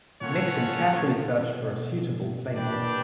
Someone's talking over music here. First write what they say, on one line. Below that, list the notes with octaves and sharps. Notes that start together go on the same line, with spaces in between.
Nixon carefully searched for a suitable plaintiff.
A#2 C#4 F4 A4 C#5 F#5
B2
A#2 D4 G4 B4 D5 G5
A#2